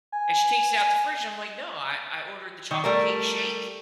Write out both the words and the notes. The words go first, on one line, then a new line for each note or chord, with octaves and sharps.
And she takes it out the fridge, and I'm like, "No, I I ordered the chocolate cake shake.
G#5
D#3
G3 A3 A#4